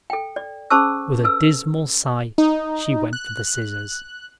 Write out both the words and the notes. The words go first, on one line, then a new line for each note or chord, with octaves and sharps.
With a dismal sigh she went for the scissors.
A4 G5
D5
C#4 G#4 C5 A5 C#6 E6
A4 B4 E6
D#4
F#6